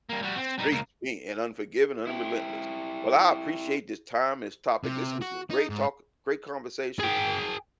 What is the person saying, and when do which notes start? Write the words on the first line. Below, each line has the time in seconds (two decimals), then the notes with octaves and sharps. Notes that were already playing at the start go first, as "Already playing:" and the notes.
Street, mean and unforgiving and relentless. Well, I appreciate this time, this topic. This was a great talk, great conversation.
0.09 G3 A#3
0.22 G3 F#4
0.37 C4
0.58 G3 D#4
0.72 C#2 A#3
2.07 E4 G4
4.84 C3
5.21 F#4
5.50 D#4
5.70 G#2
6.99 G#4 G5